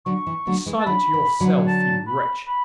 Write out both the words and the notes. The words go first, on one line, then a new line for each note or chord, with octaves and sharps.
'Be silent yourself, you wretch.
D3 F#3 C#6
E3
D3 F#3
E3 G#3
A5
D3 F#3 B5
E3
D3 F#3
A5
B5
B5